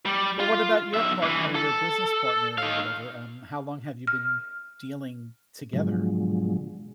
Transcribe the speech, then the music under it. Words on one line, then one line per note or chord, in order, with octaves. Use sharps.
Well, what about your partner, your business partner, or whatever, um, how long have you been dealing together?
G3
F4
B1 E5
G2 E3
A4
D#4 F5
F6
G#2 B2 D3 F3 F#3 G#3